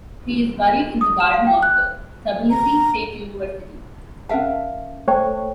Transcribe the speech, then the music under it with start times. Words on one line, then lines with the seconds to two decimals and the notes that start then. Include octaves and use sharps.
He is buried in the garden of the Tbilisi State University.
1.01 D#6
1.20 E7
1.34 F5
1.47 G5
1.63 F#6
2.50 A#5
4.29 C#4 A#4 E5 F5 A5
5.08 A3 C5 C#5 G5 A5